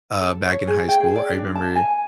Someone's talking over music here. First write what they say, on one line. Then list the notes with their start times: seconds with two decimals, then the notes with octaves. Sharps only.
uh, back in high school, I remember,
0.20 A4
0.46 C#5
0.68 G#4
0.89 G5
1.00 G#4
1.16 D5
1.33 D4
1.55 A5
1.76 G#5